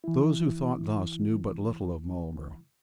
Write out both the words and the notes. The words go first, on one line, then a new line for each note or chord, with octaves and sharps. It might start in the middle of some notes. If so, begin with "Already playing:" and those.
Those who thought thus knew but little of Marlborough.
E3 E4